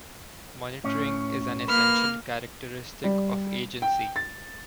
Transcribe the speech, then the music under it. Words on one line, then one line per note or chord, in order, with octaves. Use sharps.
Monitoring is an essential characteristic of agency.
A2 C#4
A#3 B4 F6
G3
G5
A6